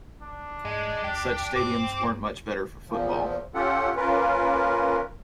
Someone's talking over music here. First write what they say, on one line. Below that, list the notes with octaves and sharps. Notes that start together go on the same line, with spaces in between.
Such stadiums weren't much better for football.
D4
G#2 G#3
D#2 G4
G2 C4 D6
E2 A#2 F3
C#4 F4 G4 A4 F#5
A#3 C#4 F4 A#4 B4